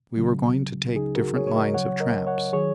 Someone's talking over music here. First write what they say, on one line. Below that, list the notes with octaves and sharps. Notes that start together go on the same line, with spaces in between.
We were going to take different lines of traps.
C#2 C#3 F#3
C#2 C#3 F#3 D#4 G#4
F#4 A#4
G#4 C#5
C#5
A#4 D#5
C#2 C#3 F#3 C#5 F#5
A#4 D#5
C#5 F#5
D#3 F#3 G#4 C#5